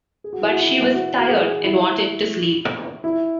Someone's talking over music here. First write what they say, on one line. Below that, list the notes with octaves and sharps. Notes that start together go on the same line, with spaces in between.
But she was tired, and wanted to sleep.
G#4
F#4
E4
F#4
E4
F#4
F#4
G#4
E4
E4